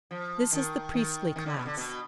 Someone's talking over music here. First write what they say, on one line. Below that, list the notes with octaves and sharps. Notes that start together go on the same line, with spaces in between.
This is the priestly class.
F3
D#3
D#3
D#3
D3
B2
D3
B2